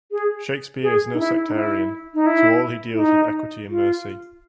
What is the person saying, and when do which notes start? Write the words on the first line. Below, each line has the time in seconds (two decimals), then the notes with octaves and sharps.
Shakespeare is no sectarian: to all he deals with equity and mercy.
0.11 G#4
0.83 G#4
1.14 D#4
1.19 E4
1.48 D#4
1.55 E4
2.14 D#4
2.26 E4
2.94 E4
2.99 D#4
3.70 F4